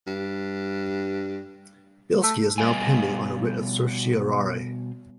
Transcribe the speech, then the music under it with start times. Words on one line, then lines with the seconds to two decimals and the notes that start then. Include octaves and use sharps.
"Bilski" is now pending on writ of certiorari.
0.07 G2
2.23 A3
2.58 B2 G3 D#5 F5 G#5